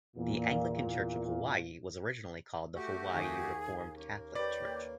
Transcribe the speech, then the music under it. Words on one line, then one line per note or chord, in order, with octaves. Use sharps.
The Anglican Church of Hawaii was originally called the Hawaii Reformed Catholic Church.
E2 A#2
A3 F#4 G4
D#2 G#4
A#3 C#4
G4 B4 C#5 D5 A6
A#3